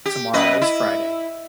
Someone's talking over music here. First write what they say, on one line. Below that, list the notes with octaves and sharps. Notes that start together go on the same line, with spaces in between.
Tomorrow is Friday.
G4
F#2 B4 D#5
E4